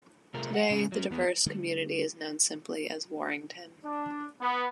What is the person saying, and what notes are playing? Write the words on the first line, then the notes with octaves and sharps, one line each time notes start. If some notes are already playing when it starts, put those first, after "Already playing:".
Today, the diverse community is known simply as Warrington.
C3 A3 F4 G#4 A#4
F#5
A2 C#3 C#4
F#3 C#4
E2 B3 G#4
D3 G3 A3
D4
B3